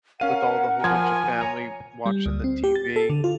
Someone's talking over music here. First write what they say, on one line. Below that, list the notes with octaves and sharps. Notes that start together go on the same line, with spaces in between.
with all the whole bunch of family watching the TV.
C#4 A#4 F5 F#5 D#7
F3 G#5 G#6
C#5 A#5
G3
D2
C4
G4
A6
A4
D3
F4